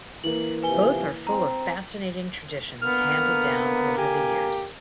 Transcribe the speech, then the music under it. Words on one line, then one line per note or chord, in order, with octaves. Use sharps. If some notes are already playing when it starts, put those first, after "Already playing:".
Both are full of fascinating traditions handed down over the years.
E3 A#3 F#7
C3 F3 B4 G#5 G7
C4 A#5
D3 A#3 B3 A#4 F6
G4 G#5